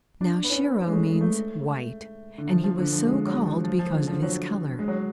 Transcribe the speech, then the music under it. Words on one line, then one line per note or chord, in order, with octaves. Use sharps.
Now Shiro means "white," and he was so called because of his color.
D4
B3
C#4
C#4
G#3
A3
G#3
A3
D3
F3
F3
D3
F3
G#3
F#3
F3
F3
F3
D3
F3
F#3
G#3
F#3